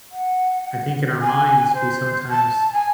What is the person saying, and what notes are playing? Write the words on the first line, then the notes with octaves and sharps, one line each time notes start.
I think in our minds we sometimes
F#5
G#5
C5
A5
G#5